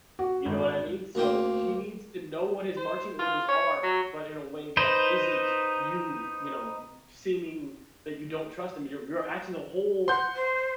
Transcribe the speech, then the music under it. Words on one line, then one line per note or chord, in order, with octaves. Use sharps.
You know what I mean? So, y he needs to know what his marching orders are, but in a way that isn't you, you know, b seeming that you don't trust him. You're you're actually, the whole
F#4
G#1
D2 A#3 C5 G5
C5
F4
C#5
F#3
D#4 B4 C5
F#5 C6 G6
C5